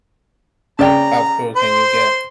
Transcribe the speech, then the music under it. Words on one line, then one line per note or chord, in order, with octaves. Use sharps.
How cruel can you get?
C#3 D5 G5 A#5
C5 C6